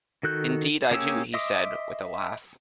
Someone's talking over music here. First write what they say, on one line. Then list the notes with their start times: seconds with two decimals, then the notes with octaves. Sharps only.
"Indeed I do," he said, with a laugh.
0.23 D#3 F#4 A4 F#6 G6
0.91 A#3 C#4 G4 G#4 E6
1.34 D#5 E5 C6 D6 D#6